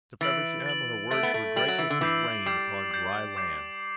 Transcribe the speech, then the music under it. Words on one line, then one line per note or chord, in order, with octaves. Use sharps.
To Feversham her words were gracious as rain upon dry land.
E3 A6 D7 F#7
A6 D7 F#7
A3 A6 D7 F#7
B3
A3
G3 A6 D7 F#7
F#3
E3
D3
E3 D6 G6 C7
G3 D6 G6 C7
D6 G6 C7
D6 G6 C7